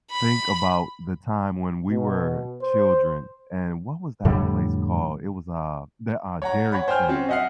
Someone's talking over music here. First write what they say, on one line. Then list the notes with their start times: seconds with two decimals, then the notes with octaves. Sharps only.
think about the time when we were children, and, what was that place called? It was, uh, the uh, Dairy Queen.
0.12 B5
1.89 B2
2.62 C5
4.25 F2 A2 D3 G3
6.42 C#5 F#5 A#5
6.72 C#5 F#5 B5
6.88 C5 G5 G#5 F6 G6
7.08 C4 C#4 F#4
7.29 D#5 E5 F#5 F6 C7